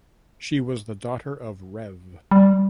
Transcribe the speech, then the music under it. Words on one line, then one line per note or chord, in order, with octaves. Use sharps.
She was the daughter of Rev.
G3